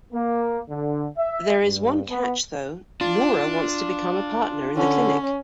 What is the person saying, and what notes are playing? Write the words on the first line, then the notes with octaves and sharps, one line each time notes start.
There is one catch, though-Nora wants to become a partner in the clinic.
A#3
D3
E5
G2
B3
D4 F4
D3 C#4